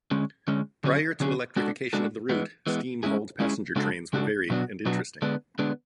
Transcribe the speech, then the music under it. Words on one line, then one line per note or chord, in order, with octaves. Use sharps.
Prior to electrification of the route, steam hauled passenger trains were varied and interesting.
D3 G#3 C#4
D3 G#3 C#4
D3 F#3 C#4 G#4
D3 F#3 C#4 G#4
G#3 D4 F#4 A4
G#3 D4 F#4 A4
E3 G#3 B3
E3 G#3 B3
G#3 C#4 E4 G#4
G#3 C#4 E4 G#4
C#3 G#3 D4 F#4 A4
C#3 G#3 D4 F#4 A4
B2 F#3 B3 D4 F#4
B2 F#3 B3 D4 F#4
D3 G#3 B3 D4
D3 G#3 B3 D4